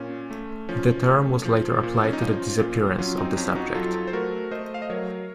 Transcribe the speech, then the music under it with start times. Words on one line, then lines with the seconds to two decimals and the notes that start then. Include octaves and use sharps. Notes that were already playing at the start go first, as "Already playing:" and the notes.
The term was later applied to the disappearance of the subject.
Already playing: A#2 C#4
0.31 A3
0.69 F3 C#4
1.07 A3 C#4
1.45 F3
1.83 A#2
2.03 C#4
2.13 D#4
2.22 F3 C#4 F4
2.60 A#2
2.98 F#3 C#4 F4
3.17 C4 D#4
3.37 F2 C#4
3.56 D#4 F#4
3.75 F#3 F4 A4
4.07 C5
4.13 A3 F#4 A#4
4.51 A3 C5 D#5
4.74 F5
4.82 D#5
4.90 F#3 A#4 C#5